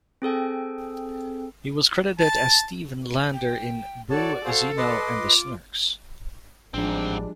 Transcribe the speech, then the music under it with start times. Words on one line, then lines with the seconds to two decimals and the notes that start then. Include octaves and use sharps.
He was credited as Stephen Lander in "Boo, Zino and the Snurks".
0.22 C4 G#4 A4 G5
2.20 A5
3.33 G5
4.10 F#4 A4 C#5 D5 A5
4.45 F#4 A4 C5 F5
4.77 B4 D#5 C6 D6
5.18 F4
6.74 A1 G#2 F3 G3 G#3 C4 D4